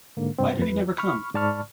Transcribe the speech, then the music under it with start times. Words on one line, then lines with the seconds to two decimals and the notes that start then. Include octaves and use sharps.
Why did he never come?
0.17 G#2 D3 A#3
0.39 G2 C3 C4
0.59 F2 B4
0.98 B5 C#6 F6
1.35 G#2 D5 A5 B5 C#6 F6